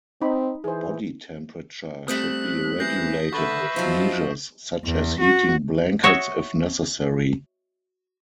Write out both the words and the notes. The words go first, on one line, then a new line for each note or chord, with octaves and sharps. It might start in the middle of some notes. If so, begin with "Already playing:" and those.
Body temperature should be regulated with measures such as heating blankets if necessary.
C4 D#4 B5
E3 G#4 C5
G3 A3 C4 D#6 F#6 B6
E3 G6 A#6 C7
D3 B4 E5 C#6 A6
F3 F#3 D#4
E2
F#4
F#4 C#5 D#5 E5